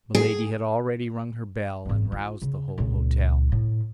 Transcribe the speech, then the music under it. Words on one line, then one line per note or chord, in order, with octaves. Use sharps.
Milady had already rung her bell, and roused the whole hotel.
G#4
G#1 E2
F4
C#3
C#2 A#2
A2